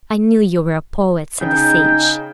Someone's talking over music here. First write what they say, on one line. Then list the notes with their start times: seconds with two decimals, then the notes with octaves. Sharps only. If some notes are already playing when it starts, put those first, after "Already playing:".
"I knew you were a poet," said the sage.
1.41 C#3 D#4 G5